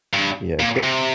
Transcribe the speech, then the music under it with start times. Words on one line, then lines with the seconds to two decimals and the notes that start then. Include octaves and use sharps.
Yeah, cro
0.13 G2
0.60 A#2
0.84 C3